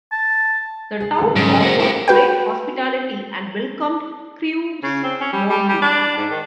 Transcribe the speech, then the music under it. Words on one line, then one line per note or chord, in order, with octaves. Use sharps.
The town offered great hospitality and welcomed crews warmly.
A5
G#4
A1 A4
G#2 C#3 F#3
G#3 A#3 F#4 C5
E4 G4
F#4 B4 G5
C#3
C4
C#4
G3
G3
G3
D4
G#2
D#3